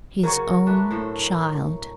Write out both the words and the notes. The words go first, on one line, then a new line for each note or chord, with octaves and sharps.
His own child!
C#3 F#3 A#4 A#5 C#6
A3 D4 B4
A2 A3 C5